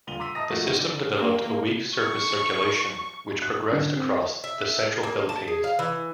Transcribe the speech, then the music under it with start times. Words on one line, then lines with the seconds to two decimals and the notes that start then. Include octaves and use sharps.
The system developed a weak surface circulation which progressed across the central Philippines.
0.07 D#1 D2 F4 D#7 F7 G7
0.19 A#5 C6 D6 E6 B6 D#7
0.35 D#5 E5 A5 A#5 D#6 A#6
0.50 F3 A3 A#3 F#4
0.66 D2 D#3 C#4 F#4
0.79 D5
1.17 A#3
1.99 C#6
3.42 F#6
3.72 D3
3.95 C4
4.44 E5
5.03 A#3
5.29 A5
5.48 G#4
5.64 F5
5.79 E3